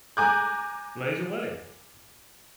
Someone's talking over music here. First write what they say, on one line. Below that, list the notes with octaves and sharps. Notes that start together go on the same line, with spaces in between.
Blaze Away!
G#5 A#5 D6 F#6 G6